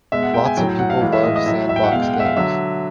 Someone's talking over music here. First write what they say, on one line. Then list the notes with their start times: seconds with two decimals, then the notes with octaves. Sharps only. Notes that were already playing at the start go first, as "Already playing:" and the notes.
Lots of people love sandbox games.
0.12 B2 G#3 E5
0.23 F#5
0.34 G5
0.46 G#5
0.57 A2 F#3 G5
0.69 G5
0.79 F#5
0.90 F5
1.01 A2 E3 G#3 F5
1.13 E5
1.23 D#5
1.36 D#5
1.46 A2 F#3 E5
1.69 E5
1.76 G5
1.84 F#5
1.92 B2 G#3 F5
2.02 G5
2.13 F#5
2.20 E5
2.25 F5
2.37 D3 F#3 E5